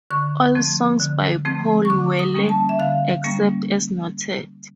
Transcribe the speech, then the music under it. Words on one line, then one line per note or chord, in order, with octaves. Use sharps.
All songs by Paul Weller except as noted.
D3 C#6
F3 A3 C4
D3
F3 A3 C4
C#6
D3 D6
D#6
G3 A#3 C#4
A5
E5
D3 F5
G3 A#3 C#4